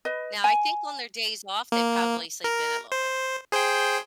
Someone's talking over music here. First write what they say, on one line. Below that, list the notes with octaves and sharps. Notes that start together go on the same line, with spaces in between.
Now, I think on their days off, they probably sleep in a little bit.
B4 D#5
G#5
A#3
A#4
C5
G#4 C5 G5